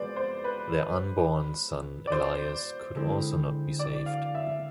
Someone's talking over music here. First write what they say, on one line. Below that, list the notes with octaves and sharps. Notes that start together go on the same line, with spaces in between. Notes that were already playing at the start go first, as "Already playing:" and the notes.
Their unborn son Elias could also not be saved.
Already playing: G#3 B3 F4 G#4 C5 D5
C5
B4
D5
C5
D3 G#3 C4 E4
D5
F5
E5